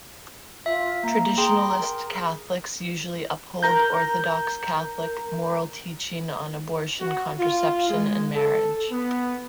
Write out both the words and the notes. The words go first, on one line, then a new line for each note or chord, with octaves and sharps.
Traditionalist Catholics usually uphold orthodox Catholic moral teaching on abortion, contraception and marriage.
F4 E5
A#3 A#5
G#4 G5 C6
A#4
A#4 A#5 G6
F#4
F4
G#3
A4
B3